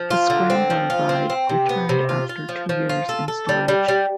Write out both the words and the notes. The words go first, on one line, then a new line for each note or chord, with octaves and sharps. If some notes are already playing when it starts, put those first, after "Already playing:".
The Scrambler ride returned after two years in storage.
Already playing: F3
F4
D3
C4
F3
F4
C4
C4
C3
B3
C3
F4
F4
F3
F3
F4
A4
A4
G3
G3
G3